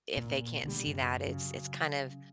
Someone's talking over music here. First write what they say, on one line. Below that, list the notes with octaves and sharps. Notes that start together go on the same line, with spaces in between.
if they can't see that, it's it's kind of
A#2
B2 D3 E3 G3
F#2 C#3
C#3 F#3